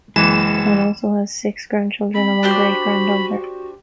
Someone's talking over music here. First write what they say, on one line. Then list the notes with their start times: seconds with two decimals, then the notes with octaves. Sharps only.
Dawn also has six grandchildren and one great-granddaughter.
0.16 F#1 E3 G#3 E7
2.15 C4 B5
2.43 D4 F#4 G4 C5